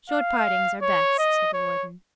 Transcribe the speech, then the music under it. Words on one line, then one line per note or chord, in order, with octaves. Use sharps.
"Short partings are best," said the Warden.
F5
C#5
D#5
C#5